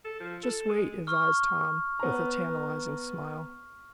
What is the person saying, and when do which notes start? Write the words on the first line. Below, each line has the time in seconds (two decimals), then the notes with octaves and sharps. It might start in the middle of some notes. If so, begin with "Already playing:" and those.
"Just wait," advised Tom, with a tantalizing smile.
0.05 A4
0.20 F3
0.43 A4
0.69 G#3
1.07 C#6 E6 F6
1.99 B3 A#5